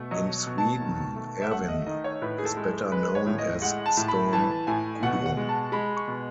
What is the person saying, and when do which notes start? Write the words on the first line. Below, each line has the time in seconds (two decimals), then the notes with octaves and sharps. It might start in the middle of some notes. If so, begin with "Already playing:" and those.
In Sweden Erwin is better known as Storm Gudrun.
Already playing: B2 A3
0.11 F#3 D#5
0.47 B2
0.58 A5
0.81 D#3
1.16 A3
1.42 E5
1.51 A3 F#5
1.68 D#5
1.86 D#3 D#5
2.04 C#5
2.22 A2 B4
2.38 G#4
2.45 A4
2.57 G#3
2.92 G#3 B4
3.15 C#5
3.27 A2
3.39 D#5
3.62 G#3 F#5
3.86 A5
3.97 A2
4.08 B5
4.33 E3 A5
4.67 A2 G#5
5.02 B2 F#5
5.26 F#5
5.37 G#3
5.49 A5
5.72 G#3 B5
5.97 C#6
6.08 B2